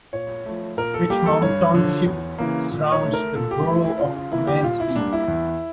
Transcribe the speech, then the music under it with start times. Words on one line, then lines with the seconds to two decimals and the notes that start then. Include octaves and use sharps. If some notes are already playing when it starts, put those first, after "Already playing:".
Richmond Township surrounds the borough of Mansfield.
0.13 A#2 C#5
0.46 F3 A3
0.77 A#2 A#4
0.94 A4
1.10 G3 A#3 G4
1.26 A4
1.41 G2 C#5
1.74 D3 F3
2.06 E2
2.38 C#3 E3 A#3
2.71 A#2
2.92 C#5
3.03 A3
3.13 A#4
3.35 A#2 A4
3.51 G4
3.67 A3 E4
3.83 E4
3.99 C#3 F4
4.16 F4
4.32 E3 A#3 E4
4.47 G4
4.64 A#2 F4
4.80 E4
4.96 G3 A#3 D4
5.13 E4
5.28 E2